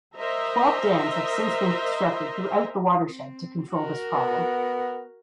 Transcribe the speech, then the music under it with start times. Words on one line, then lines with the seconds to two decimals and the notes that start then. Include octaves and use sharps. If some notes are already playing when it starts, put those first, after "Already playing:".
Twelve dams have since been constructed throughout the watershed to control this problem.
0.15 A#4 C5 D#5 E5 A#5
3.06 C4
3.74 F#4 A#4
4.15 B3